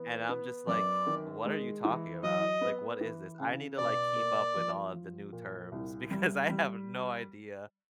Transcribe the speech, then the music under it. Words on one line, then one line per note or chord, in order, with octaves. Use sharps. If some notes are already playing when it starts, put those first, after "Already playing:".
and I'm just, like, "What are you talking about? Like, what is this?" I need to, like, keep up with all of the new terms because I have no idea.
Already playing: E3 B3
B3
F#2 D5
D#3
G#3
E3
F#3 D#5
B3
E3
C#3
B2 D5
A#3
F3
F3
A#2
C2
G3
G3